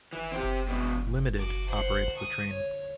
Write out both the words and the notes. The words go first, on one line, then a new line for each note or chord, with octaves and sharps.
Limited, operates the train.
E3
C4 G4
E2 B2
F#4 D6
C5 F#5
C#6 D#6
C#5